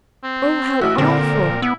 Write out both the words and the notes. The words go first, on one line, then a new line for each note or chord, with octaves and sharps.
Oh, how awful!
C4
A1 F#4 E5
A#2 D3 C4 A#4
B3 E4